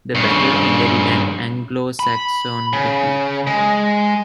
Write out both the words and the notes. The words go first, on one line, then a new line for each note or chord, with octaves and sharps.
The battle ended in an Anglo-Saxon defeat.
G2 C#3
B5
C#3
G#3